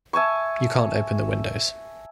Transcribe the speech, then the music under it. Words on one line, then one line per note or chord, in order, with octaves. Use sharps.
You can't open the windows.
E5 G#5 A5 C#6